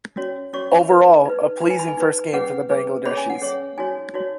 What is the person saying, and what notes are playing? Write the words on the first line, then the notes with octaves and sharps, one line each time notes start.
Overall, a pleasing first game for the Bangladeshis.
C#4 F#4 C#5
C#4 F#4 C#5 C#6
B5
D#4 B4
D#4 B4
D#4 B4 B5
G#5
B5
G#5
D#4 B4
C#4 G#4 B4 F#5
C#4 G#4 B4
C#4 G#4 C#5 B5
G#5
F#5
C#4 G#4 C#5
D#4 F#4 C#5 G#5
D#4 F#4 C#5